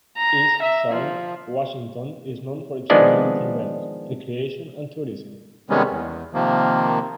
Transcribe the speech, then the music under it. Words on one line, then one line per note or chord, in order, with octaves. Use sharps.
Eastsound, Washington is known for its community events, recreation and tourism.
A#5
E5
F3
D#3 F3 G#3 B3 D4 D5
C3 D#3 G3 G#3 B3 C#4
E2
C3 D#3 F3 A#3